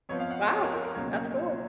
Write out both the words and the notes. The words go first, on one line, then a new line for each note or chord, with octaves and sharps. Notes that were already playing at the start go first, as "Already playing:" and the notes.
Wow, that's cool.
F2 F3 B3 C#5
F5
F#5
D#5
C#5
A#4
A#4
A#4
C#2 B2 F#3 A#3 C#4 C#5